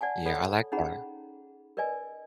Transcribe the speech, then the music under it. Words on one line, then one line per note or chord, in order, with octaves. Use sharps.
Yeah, I like that.
D5 F#5 G#5 A5
A4 C#5 D5 F#5 B5
C#4 D#4 G#4 F#5 A#5 B5
A#4 B4 D5 D#5 G#5